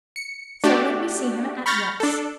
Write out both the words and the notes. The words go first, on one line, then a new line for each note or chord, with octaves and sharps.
So let me see him at once.'
C#7
A3 D4 F#4 G4 D5
B5 C#6 F6 G6 A6 A#6
D4 A4